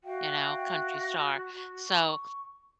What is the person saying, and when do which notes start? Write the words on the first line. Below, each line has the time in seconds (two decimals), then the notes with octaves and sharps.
you know, country star." So,
0.03 F#4 E5 F5 G5
1.86 C#6